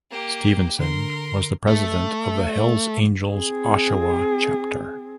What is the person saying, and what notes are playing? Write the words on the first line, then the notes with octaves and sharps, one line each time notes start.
Stephenson was the president of the Hells Angels Oshawa chapter.
A#3 G4
D3 A#4 C6
A3
C4 G#4